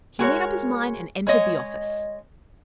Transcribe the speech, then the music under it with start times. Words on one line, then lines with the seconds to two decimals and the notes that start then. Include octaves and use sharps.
He made up his mind, and entered the office.
0.19 G#3 F#4 A#4 C#5
1.27 G#3 C#5 D#5